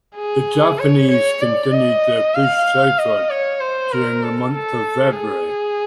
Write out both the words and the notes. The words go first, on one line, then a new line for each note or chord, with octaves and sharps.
The Japanese continued their push southward during the month of February.
G#4
C#5
C#5
D5
D#5
F5
D#5
C#5
C5
A#4
A4
A4
G#4